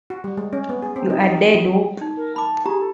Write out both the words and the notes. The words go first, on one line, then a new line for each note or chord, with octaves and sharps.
You a dead wop.
F#4
G3
G#3
C#4
B3
G#4
C4
D#4
D#4
F#4
F3
D#4
A#4
A5 B5 D6
F4 G4 G#4 A#5
A4